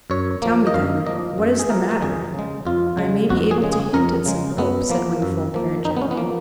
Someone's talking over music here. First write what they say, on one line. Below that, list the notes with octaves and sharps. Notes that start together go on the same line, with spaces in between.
"Tell me, then, what is the matter; I MAY be able to hint at some hope," said Wingfold, very gently.
F#2 C#5
F3 A#3
D#5
F#2 F5
F3 A#3 D#5
F#2
G#4
F3 A#3 A#4
A#4
F2 G#4
C#3 G#3
F2 F4
C#3 G#3
F2 F#4
G#4
C#3 G#3
G#4
F2 A#4
C#3 G#3
F#2 B3
F3 A#3
F#2
F3 A#3
F#2 D#4
B3
C#4
B3
F3 A#3